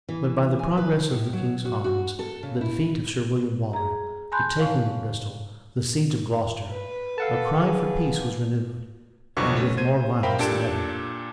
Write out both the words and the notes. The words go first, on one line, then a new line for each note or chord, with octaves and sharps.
But by the progress of the king's arms, the defeat of Sir William Waller, the taking of Bristol, the siege of Gloucester, a cry for peace was renewed, and with more violence than ever.
E3
G#5
B4
A2
F#3
F#4
F#4
A4
C#3
E4
G#4 A#5
G#5 A5 B5 C6 F#6 G6
A2 C#3 F5
B4
A4 F5 F#5 A5
G#4
C2 F2 D3 F#3 B4 C#6
A3 C#4
C5 G#6 D#7
A#4 C5 E5 F5 G5 B5
A#2 D4 G4 A4 A5 D7